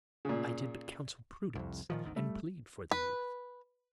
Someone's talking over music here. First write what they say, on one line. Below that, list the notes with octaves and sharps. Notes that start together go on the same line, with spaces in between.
"I did but counsel prudence, and plead for the youth."
A#2 C#3
C2 F2
A#2 D#3 F3
G#1 D2 D#3
G3 A3
B4